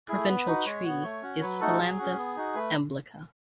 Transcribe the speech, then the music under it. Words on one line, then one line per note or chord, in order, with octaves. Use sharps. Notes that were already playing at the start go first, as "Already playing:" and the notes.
Provincial tree is "Phyllanthus emblica".
A3 E4 G#4
B3 B4
D#4 F#4
G#3 C#5
B3 F#4
A3
C#4 F#4
F#3 B4
A3 D#4 F#4 A4
F#3 G#4
C#4 F#4
B3
D#4 F#4
A3 B4